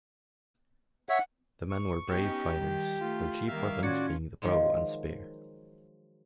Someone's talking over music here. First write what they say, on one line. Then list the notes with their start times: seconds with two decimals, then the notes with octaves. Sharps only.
The men were brave fighters, their chief weapons being the bow and spear.
1.09 C#5 E5 F#5
1.70 C#6
2.08 B3 C#4 D#4 G4
2.55 D#3 G3
3.01 A3 F4
3.48 D#3 G3 A#3 E5 F5
3.83 A2 D#3 C#4 F4 F#4 D5
4.42 D#3 F3 F#3 G#3